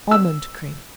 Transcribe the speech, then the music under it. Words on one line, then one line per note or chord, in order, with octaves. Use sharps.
Almond Cream.
E6